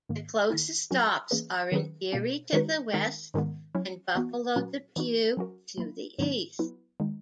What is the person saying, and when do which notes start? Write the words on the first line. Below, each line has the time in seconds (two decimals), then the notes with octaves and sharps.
The closest stops are in Erie, to the west, and Buffalo-Depew, to the east.
0.09 G#2 D#3 A#3
0.50 D#3 A#3 E4
0.91 F#3 C#4 F#4 A#4
1.31 E3 A#3 C#4 G#4 B4
1.72 D#3 F#3 C#4 G#4 B4
2.12 B2 A#3 C#4
2.53 D#3 G#3 D#4 F#4 B4
2.93 D#3 G#3 D#4 A#4
3.34 G#2 D#3 G#3 B3
3.75 F#3 C#4 E4
4.15 E3 B3 F#4
4.56 A#2 F#3 C#4 F#4 B4
4.96 E3 B3 D#4 F#4
5.37 F#3 C#4 F#4 A#4
5.78 F#3 A#3 E4
6.18 G#2 D#3 F#3 B3 D#4
6.59 F#3 B3 E4 B4
7.00 D#3 G#3 D#4